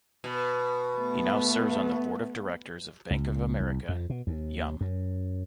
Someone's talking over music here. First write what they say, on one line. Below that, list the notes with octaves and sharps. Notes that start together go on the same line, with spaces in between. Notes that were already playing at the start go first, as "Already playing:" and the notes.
He now serves on the Board of Directors of Bank of America, Yum!
B2
A3 B3
C#2
C2
F2
B2
D#2
F#2